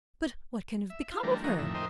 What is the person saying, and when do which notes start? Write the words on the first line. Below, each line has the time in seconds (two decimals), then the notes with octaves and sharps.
"But what can have become of her?"
0.90 E5
1.12 F4
1.23 E3 G3 A3 D4 A#4
1.44 E3 F3 F#4 A#4 D#5
1.59 F2 A2 D#3 E5
1.75 D#4 A#4 C5 D#5 E5 G5